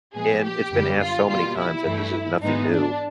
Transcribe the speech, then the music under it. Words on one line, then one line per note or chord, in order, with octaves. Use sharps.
and it's been asked so many times that this is nothing new,
A#2 F3 G#3 B3 G#4
G4
F#2 D3 G3 B3
F4
B2 G3 A#3 F4
E4
G2 E3 A3
G#2 E3 G#3 B3 D#4
D4